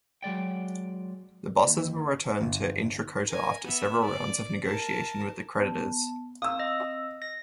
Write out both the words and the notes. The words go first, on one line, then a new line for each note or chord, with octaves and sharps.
The buses were returned to Intrakota after several rounds of negotiations with the creditors.
F#3 G#3 D5 G5
D#2
G1
A#4 G#5
B3 E5
D5
A#4 A5
B3 A5
C4 F5 D#6 E6
D#5
D#5 A#6